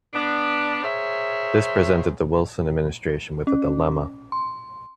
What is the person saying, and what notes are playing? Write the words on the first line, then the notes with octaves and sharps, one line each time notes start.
This presented the Wilson administration with a dilemma.
B3 D4
G#4 A#4 C5 C#5 E5
C#4
C6